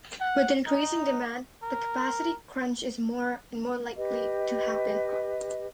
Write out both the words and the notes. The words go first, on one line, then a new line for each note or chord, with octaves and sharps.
With increasing demand, the capacity crunch is more and more likely to happen.
F#5
D#4
A#4
G4 B4 D#5